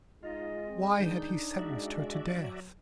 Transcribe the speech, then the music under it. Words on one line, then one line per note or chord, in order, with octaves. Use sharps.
Why had he sentenced her to death?
G#3 D#4 F4 D#5
C4
D#3 D4 D#4 G6
G#3 F#4 D5 E5
F#3